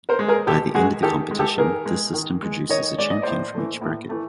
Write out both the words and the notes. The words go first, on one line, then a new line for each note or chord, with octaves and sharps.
By the end of the competition, this system produces a champion from each bracket.
A#4 C5
G#3
G#4 A#4
B2 G4 A4
G#3 F#4 G#4
D#3 G4 A4
G#3
G4 A4
D#3 G#4 A#4
G#3
D#3
G#3
D#3 C#5 D#5
G#3 D5
D#5
A2 C5 D5
E3 A3
A2
E3 A3